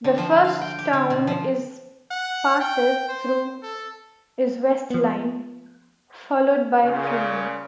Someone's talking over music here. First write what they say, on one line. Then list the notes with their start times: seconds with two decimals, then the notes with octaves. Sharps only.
The first town is passes through is West Line, followed by Freeman.
0.04 D3
0.18 F3
0.45 F5
0.61 G5
0.79 G4
0.93 D3
1.10 B2
1.27 F3
2.11 F#5
2.60 G5
3.09 C5
3.62 A4
4.90 F3 B3
6.82 A#2 C#3